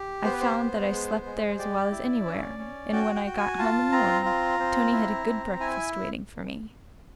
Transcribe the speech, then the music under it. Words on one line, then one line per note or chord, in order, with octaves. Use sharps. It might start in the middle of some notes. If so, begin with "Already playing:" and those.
I found that I slept there as well as anywhere, and when I got home in the morning, Tony had a good breakfast waiting for me.
Already playing: G4
B3 C5
B4
C5
B3
G#3
G#3
G4 D5
E4
C#4
C#4
F#4 G5
G5
F#4
G#5
F4 A5
C4 A#5
F4
C4
E4
C4
E4 G#5